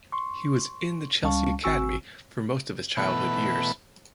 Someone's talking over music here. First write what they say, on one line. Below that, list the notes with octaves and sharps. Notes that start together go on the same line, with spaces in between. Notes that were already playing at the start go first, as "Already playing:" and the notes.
He was in the Chelsea academy for most of his childhood years.
C6 C#6
C#2 G3 C#4 F5 A5 C#6
G#1 C4 F#4 G#5 C#6 E6
B2 E3 A3 B3